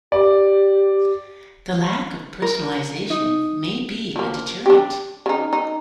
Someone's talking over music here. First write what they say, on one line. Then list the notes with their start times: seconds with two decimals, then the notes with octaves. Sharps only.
The lack of personalization may be a deterrent.
0.12 G4 D5
2.42 A#4
3.10 D#4
4.16 F3 A#3
4.66 D4 G4
5.26 C#3 D#4
5.53 D#4